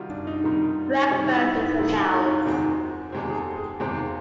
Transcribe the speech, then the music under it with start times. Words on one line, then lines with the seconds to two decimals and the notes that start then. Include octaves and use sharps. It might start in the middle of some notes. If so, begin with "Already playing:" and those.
Breakfast is announced.
Already playing: C3 D#3 G3 F4 F#4
0.10 D4
0.27 D#4
0.44 C3 D#3 G3
1.11 C3 D#3 G3 D#4
1.33 E4
1.56 D#4
1.79 C3 D#3 G3 E4
1.96 D#4
2.12 D#4
2.29 F4
2.45 E2 C3 D#3 G#3 C4 F#4
3.12 E2 C3 D#3 G#3 C4 G4
3.30 G#4
3.36 A4
3.57 G#4
3.80 E2 C3 D#3 G#3 C4 F#4
3.97 F4